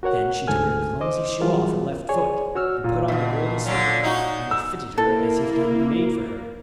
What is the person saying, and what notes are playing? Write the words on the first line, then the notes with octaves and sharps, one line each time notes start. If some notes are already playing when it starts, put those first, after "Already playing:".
Then she took her clumsy shoe off her left foot, and put on the golden slipper; and it fitted her as if it had been made for her.
F#4 A#4 C#5 F#5
D2 G#2 A4 G#5 F6
C5 D#5 D6
E3 F#3 G3 F4 G#4 A#4
G#4 C#5 D5 G#5
F#4 C#5 E6 F6
A#2
G2 B2
D3 F#3 C#4
G#3 D#4 F#4
E6
A#3 E4 A4